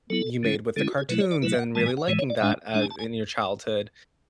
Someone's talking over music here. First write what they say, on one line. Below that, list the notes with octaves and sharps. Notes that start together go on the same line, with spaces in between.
you made with the cartoons and really liking that a in your childhood
F#3 B3 E4 A4
D3 G#3 C#4 E4
D3 G#3 C#4 E4 A4
F#4
G#4
B2 F#3 A3 E4 B4
C#5
D5
B2 F#3 A3 E4 B4
E5
F#5
A2 E3 G#3 A5
G#5
F#5
A2 E3 G#3 C#5
C#5
D5
A2 G#3 D4 E5
A2 G#3 D4 F#5
G#5
A5
G#5